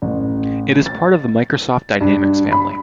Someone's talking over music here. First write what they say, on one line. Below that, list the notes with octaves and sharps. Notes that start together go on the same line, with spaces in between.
It is part of the Microsoft Dynamics family.
A1
A6
G2
B5